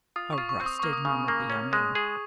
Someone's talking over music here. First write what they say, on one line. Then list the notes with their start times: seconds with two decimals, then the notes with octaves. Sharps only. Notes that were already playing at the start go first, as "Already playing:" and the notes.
"Arrested!" murmured the young man.
0.16 F4 D#6
0.33 C#6
0.38 F4
0.49 C#6
0.61 C4
0.66 D#6
0.80 A#3 C#6
0.93 D#6
1.05 C#3
1.28 A#3
1.50 C#4
1.73 G#3
1.95 G#4